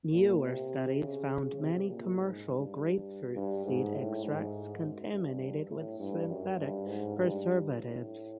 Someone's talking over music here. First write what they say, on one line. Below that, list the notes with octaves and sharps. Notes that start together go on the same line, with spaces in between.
Newer studies found many commercial grapefruit seed extracts contaminated with synthetic preservatives.
A#2
C3
C#3
C#3
C3
A#2
G#2
G2
G2
G#2
A2
G#2
F#2
G2
A2
G2
F#2
G2
G#2
G2
A2